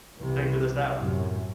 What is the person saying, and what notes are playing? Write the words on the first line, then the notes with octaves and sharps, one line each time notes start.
figure this out.
C2 C3 E3
F#2 A2 C3